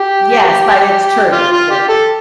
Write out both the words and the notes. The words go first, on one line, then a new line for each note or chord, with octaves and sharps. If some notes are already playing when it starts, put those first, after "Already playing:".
Yes, but it's true, very.
Already playing: G4
F4
F4
G4
A4